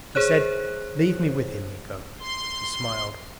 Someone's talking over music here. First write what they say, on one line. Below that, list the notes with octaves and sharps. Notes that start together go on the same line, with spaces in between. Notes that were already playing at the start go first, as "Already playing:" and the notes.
She said, "Leave me with him, Miko...." She smiled.
G#4 C5 C#5 F#6
C6